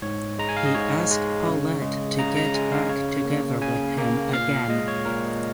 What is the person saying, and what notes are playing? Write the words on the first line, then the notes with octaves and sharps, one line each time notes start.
He ask Paulette to get back together with him again.
G#2 C#5
G#3 A#5
G#5
F5
D#5
G#2 C#5
G#3
C#3
G#3
C#3 A#5
A#5
G#3 G#5
F5
C#3 C#5
A#3
C#3 G#5
A#3
A#2 F5
G#3 D#5
C#5
A#2 A#4